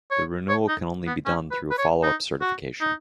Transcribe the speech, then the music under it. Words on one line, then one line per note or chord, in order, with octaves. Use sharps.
The renewal can only be done through a follow-up certification.
C#5
C#5
D#4
B3
C#4
B4
B4
C#5
D#4
F#4
D#4